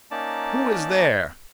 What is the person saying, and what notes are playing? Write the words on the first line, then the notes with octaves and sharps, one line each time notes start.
Who is there?
A#3 C#4 D#4 D5 A5